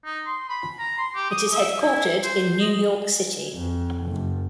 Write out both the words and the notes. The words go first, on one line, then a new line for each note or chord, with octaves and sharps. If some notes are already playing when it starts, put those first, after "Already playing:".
It is headquartered in New York City.
D#4
C6
B5
A#5
C6
G4
D#6
E5
E4
C5
D#5
F2
F#1